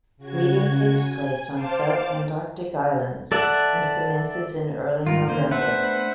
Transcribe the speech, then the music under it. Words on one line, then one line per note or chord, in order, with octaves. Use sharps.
Breeding takes place on subantarctic islands and commences in early November.
C#3 F#4 G#6
G#5
C5 F5 A5 D6
A4 D5 E5 F#5
G#2 D#3 G3 F4 A#4
D3 D#3 A#3 C5
A3 B3 D4 B4 C5 E5 F#5